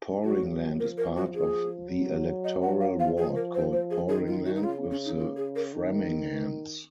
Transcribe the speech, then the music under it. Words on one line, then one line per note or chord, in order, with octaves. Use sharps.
Poringland is part of the electoral ward called Poringland with the Framinghams.
F#3 F#4
F3 A#4
A#4
F#4
G#4
F#3
D#5
F#5
F5
F3 F5
G#4
A#4
C5
C5
G#4
D#3 G#4
F4
F#4
D#4
C#3 F4
C#4
D#4
F4
G#4
A#4
D#3